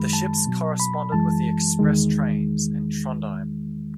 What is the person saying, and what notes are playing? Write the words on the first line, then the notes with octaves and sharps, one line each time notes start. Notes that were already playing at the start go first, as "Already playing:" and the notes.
The ships corresponded with the express trains in Trondheim.
Already playing: F#2 D#3 G#3 B5
A5
B2 F#3
B5
F#2 E3 G#3 A5
E2 D#3 G#3